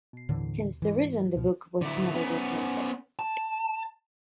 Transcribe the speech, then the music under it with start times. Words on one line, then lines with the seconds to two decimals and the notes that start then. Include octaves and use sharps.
Hence the reason the book was never reprinted.
0.13 B2 C7
0.29 D#2 A2 D3 E3
0.82 G#2 E3
1.36 C#2 B2 F3
1.82 D3 E4
2.14 B3 C#4
3.19 A5